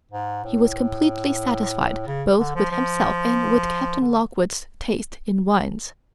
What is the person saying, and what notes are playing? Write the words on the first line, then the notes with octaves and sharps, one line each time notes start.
He was completely satisfied, both with himself and with Captain Lockwood's taste in wines.
G#2
A2
C#3
D3
F3
F3
D3